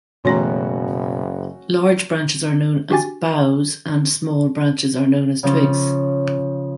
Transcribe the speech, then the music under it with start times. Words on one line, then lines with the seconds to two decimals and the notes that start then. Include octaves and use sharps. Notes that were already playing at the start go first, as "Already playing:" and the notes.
Large branches are known as boughs and small branches are known as twigs.
0.25 F#1 B2 E3 A3 C#4 F#4 C#5 A#5
2.90 D4 F#4 G4 G#5 A6
5.43 C#3 F3 C#4